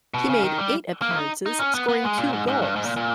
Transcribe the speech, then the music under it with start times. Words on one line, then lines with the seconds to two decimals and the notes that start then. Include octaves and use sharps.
He made eight appearances scoring two goals.
0.14 B2
0.29 C#3
0.44 D#3
0.58 G3
1.02 A#3
1.11 E4
1.16 D#4
1.46 D#4
1.60 C#4
1.75 B3
1.89 B3
2.04 G#3
2.18 A#2
2.33 G#2
2.47 G#2
2.62 G2
2.76 G#2
2.86 A#2
2.96 A#2